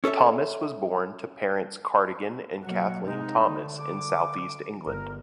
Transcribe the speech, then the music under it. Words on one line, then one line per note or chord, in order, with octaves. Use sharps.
Thomas was born to parents Cardigan and Kathleen Thomas in southeast England.
C#4 A4 C#5 E5
B2 F#3 A#3 F#5
C3 G#3 D#4
D3
D6
G1 A#4